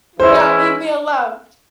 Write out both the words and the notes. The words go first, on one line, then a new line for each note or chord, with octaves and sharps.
Yeah, leave me alone.
E3 G#3 C#4 E4 C5
D5